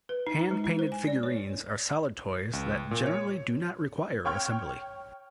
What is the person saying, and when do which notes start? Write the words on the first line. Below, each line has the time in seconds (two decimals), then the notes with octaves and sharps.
Hand-painted figurines are solid toys that generally do not require assembly.
0.09 B4
0.27 D#4
0.39 A#5
0.51 G#3
0.64 E4
0.79 C5
0.92 G#5
1.07 D5
1.23 C#5
2.53 C#2
2.91 A#2
3.07 C#5
4.25 C#5 G5 C#6 F6 G#6